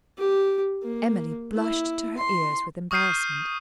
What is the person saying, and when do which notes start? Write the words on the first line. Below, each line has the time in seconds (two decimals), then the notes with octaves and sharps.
Emily blushed to her ears with embarrassment.
0.18 G4
0.83 A#3
1.55 E4
2.18 C6
2.91 C#6 D#6 F6 G6 C7 D#7